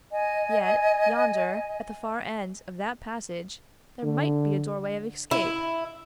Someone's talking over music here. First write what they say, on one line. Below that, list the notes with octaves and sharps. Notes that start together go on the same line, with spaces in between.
Yet, yonder, at the far end of that passage there might be a doorway of escape!
D#5 G#5
D3
E4